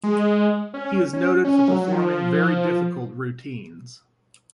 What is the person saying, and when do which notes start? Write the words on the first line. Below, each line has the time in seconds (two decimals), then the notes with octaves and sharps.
He is noted for performing very difficult routines.
0.04 G#3
0.74 C#4
1.13 C#4
1.44 C#4
1.68 F#3
1.92 F3